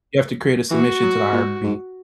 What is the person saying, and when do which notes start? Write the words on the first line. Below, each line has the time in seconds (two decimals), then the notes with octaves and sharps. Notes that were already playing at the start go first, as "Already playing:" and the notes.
you have to create a submission to the IRB.
0.71 E3 F#4
1.02 F#3
1.32 A#2
1.64 G#2